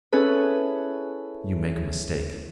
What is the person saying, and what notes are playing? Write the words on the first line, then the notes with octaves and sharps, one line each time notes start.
"You make a mistake."
C#4 E4 G#4 A4 B4